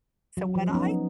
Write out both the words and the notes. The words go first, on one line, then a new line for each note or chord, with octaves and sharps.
So, what I
F#3
F3
C#4
B3 D#4